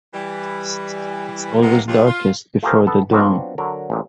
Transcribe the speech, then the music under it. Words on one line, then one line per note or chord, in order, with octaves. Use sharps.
It's always darkest before the dawn.
E3 G3
F#2 C3 D#3 F3 A#3 B3
D#2 F4
F4
A3 F4 G4 G#4 A#4 C5
B3 A4
F#3 B3 C4 D4 F4 F#4
D3 F#3 A#4
A1 A#2